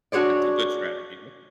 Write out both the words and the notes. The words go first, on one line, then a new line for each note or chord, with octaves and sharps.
That's a good strategy, yeah.
D4 F#4 G#4 C#5 D5